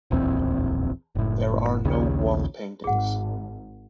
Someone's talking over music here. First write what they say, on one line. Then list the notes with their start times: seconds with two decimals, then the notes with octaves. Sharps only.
There are no wall paintings.
0.11 D1 A#1 E2 C4
1.15 F#1 A2
1.84 A#1 D#2 C#3
2.84 G#1 G#4 F#5